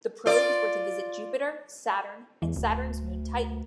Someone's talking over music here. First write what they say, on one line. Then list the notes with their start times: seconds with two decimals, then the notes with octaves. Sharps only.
The probes were to visit Jupiter, Saturn, and Saturn's moon Titan.
0.26 F4 D5
2.42 E2 E3
2.56 D1 D2